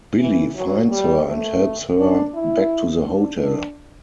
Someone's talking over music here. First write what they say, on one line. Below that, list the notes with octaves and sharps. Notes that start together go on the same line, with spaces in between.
Billy finds her and helps her back to the hotel.
E3
F#3
G3
A3
D4
E4
D4
D4